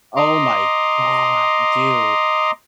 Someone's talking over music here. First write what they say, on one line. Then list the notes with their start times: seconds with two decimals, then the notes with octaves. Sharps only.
oh, my god, dude.
0.17 D#5 A#5 C6 D6